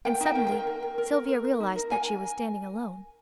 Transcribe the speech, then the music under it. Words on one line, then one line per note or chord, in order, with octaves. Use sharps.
And suddenly Sylvia realized that she was standing alone.
A#4 G5
D#4
G5
A#4
A#4 G5
A#4
A#4
A#4
A#4
A#4
A#4
D#4
A#4
A#4 G#5